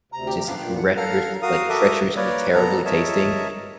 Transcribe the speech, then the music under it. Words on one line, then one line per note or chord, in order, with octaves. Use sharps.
just treacherous, like, treacherously, terribly tasting.
D2 C3 A#5
G4
E2 G#2 C3 F3 B3 D4 F5
A#2 G5
F#5
A4 F5 F#5 A#5 F6
F#4 A#4 F5 D#6
F#4 A4 A#4 E5 D6 D#6
A#3 A#4 B4 C#5 D5
B3 A4 A#5
A#4 C#5 D#5 E5 A5